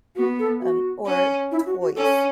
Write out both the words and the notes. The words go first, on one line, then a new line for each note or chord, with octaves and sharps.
um, or toys
B3 F#4
A4
F#4
C#4
E4
F#4
F#4
C#4 A4